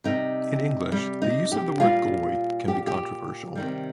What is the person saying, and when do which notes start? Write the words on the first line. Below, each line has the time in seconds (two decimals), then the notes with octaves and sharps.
In English, the use of the word "goy" can be controversial.
0.04 C3 G3 D#4
0.92 G3
1.22 D#4
1.52 G4
1.80 A#2 G3 F4
2.68 G4
2.87 G4
3.55 C3 D#3 G3